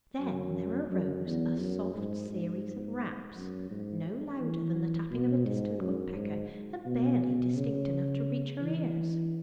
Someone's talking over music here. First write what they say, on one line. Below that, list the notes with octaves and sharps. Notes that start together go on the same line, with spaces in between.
Then there arose a soft series of raps, no louder than the tapping of a distant woodpecker, and barely distinct enough to reach her ears.
F#2
F#2
E2
F#2
G#2
G#2
F#2
G#2
E3
B2
G#2
F#2
G#2
B2
B2
C#3
E3